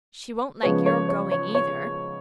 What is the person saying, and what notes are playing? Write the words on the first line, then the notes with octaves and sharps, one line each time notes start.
"She won't like your going, either."
C#3 F3 G#3 B3 C#5
C#5
C#5
C#5
C#5